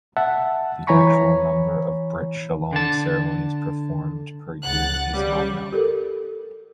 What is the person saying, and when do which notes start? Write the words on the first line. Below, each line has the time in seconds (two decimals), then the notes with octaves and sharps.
The actual number of brit shalom ceremonies performed per year is not known.
0.17 E5 F#5 A5
0.87 E3 C#5 G#5 A#5 B5 C#6
2.73 D3 A5
4.62 C#2 F#5 F#6 A6
5.14 C#3 G3
5.72 G4 A4 A#4